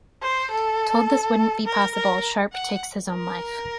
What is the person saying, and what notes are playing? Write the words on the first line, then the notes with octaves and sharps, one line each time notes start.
Told this wouldn't be possible, Sharpe takes his own life.
C5
A4
A#4
A#4
F#5
A#4